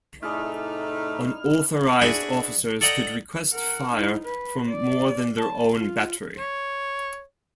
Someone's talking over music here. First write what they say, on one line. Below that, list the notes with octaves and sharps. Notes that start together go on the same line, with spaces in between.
Unauthorised officers could request fire from more than their own battery.
A2 C3 A3 D#4 E4 G#4 D5 F6
D4 E4 F#4 G#4 G#5
A4 D5 D#5 F#5 G5 A#5
A#4 F#5
D#4 E4
B4
D5
A5
F4
C#5